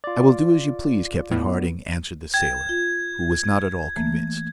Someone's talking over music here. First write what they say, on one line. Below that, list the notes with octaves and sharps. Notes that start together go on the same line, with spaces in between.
"I will do as you please, Captain Harding," answered the sailor, who was not at all convinced.
F4 D5
A2 B3
G5 G#6 A6
F4
E3 A3 A#3